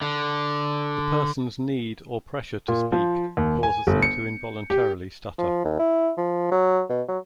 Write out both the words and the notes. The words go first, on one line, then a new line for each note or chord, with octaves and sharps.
The person's need or pressure to speak causes them to involuntarily stutter.
D3
A#2
F3
D#2
G#5
G1
C#7
G4
F3
D#2
E4
F3
F#3
B2
F#3